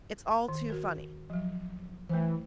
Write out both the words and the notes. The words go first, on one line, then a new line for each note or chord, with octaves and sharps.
It's all too funny.
D#3
F#4 A#4
F3 F#3
E3 A3 C5